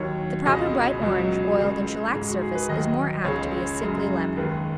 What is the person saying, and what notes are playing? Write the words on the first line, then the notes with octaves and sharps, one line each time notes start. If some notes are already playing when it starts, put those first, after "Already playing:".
The proper bright-orange, oiled and shellacked surface is more apt to be a sickly lemon.
Already playing: D#2 D#3 F#3 C#5
C#2 B2 G#3 D#5
C#2 B2 F#3
C#2 C#3 G#3
G#2 G#3
F#4
G#4
B4
D#2 D#3 F#3 D#5
C#2 C#3 G#3 C#5
F#2 C#3 G#3
D#2 D#3 G#3 B4